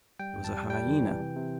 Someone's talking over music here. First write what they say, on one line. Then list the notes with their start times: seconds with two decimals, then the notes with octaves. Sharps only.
It was a hyena.
0.19 G3 G5
0.37 F2
0.44 A5
0.53 G3
0.70 G3 G5
0.86 E3
1.03 E3
1.20 C3
1.36 C3